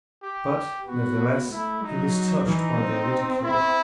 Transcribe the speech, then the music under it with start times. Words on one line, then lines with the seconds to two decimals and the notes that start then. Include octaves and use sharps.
But, nevertheless, he was touched by their ridicule.
0.23 G4
0.88 B3 F#4
1.51 A3 E4
1.83 F#3 D#4
2.47 E3 D#4
2.79 C4
3.44 E4